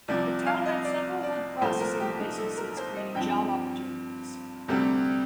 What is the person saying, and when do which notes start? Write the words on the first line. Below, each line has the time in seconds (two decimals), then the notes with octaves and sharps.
The town had several wood processing businesses creating job opportunities.
0.08 C2 C3 F3 D5
0.46 F5
0.66 D#5
0.84 D5
1.23 D5
1.61 C2 A#2 F3 A3 C5
1.80 A#4
2.00 G4
2.20 D#4
2.38 A4
2.57 A#4
2.77 C5
2.97 D#5
3.15 G2 F3 C4 G5
4.68 D2 C3 G3 C4